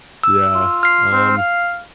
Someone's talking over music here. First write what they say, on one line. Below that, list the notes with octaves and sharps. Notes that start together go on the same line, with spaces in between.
Yeah, um
E6
F4
F6 C7
C4
F5